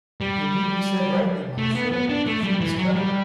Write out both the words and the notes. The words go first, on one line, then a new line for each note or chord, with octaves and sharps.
Indeed, you said rightly, monsieur — she was clever.
G3
A3
B3
B3
D4
A3
G3
E3
F#3
G3